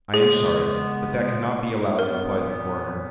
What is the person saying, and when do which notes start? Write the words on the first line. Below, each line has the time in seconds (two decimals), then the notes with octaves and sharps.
"I am sorry, but that cannot be allowed," replied the coroner.
0.14 C#3 G#3 B3 G#4
1.99 A#2 F#3 B3 A#4